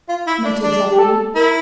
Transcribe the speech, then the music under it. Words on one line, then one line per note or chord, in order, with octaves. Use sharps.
"Not exactly."
F4
E4
D4
D4
G4
A4
E4 A#4